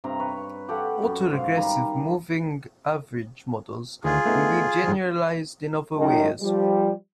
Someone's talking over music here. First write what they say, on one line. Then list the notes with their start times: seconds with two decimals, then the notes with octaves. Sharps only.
Autoregressive-moving-average models can be generalized in other ways.
0.04 G2 C3 A#5
0.20 B4 C#5
0.69 G4 A4 F#5
1.02 F#2
1.30 G#2 F5
1.57 D#3 G3 A#5
4.04 D2 D#3 F4 G#4
4.25 A3 B3 D#4
4.84 G#2 F3
5.96 F#2 A2 D#3
6.42 F3 G3